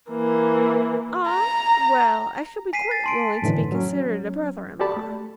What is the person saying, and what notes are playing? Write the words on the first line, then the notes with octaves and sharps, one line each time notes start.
"Ah! well, I shall be quite willing to be considered a brother-in-law."
E3 A#3
A#5
G#5 B6 C7 D#7
A6
A5 C6 D7
F#2 A2 D3 E3
F#3 C#4
F#4 G4 A4 D5 A5 B5
A3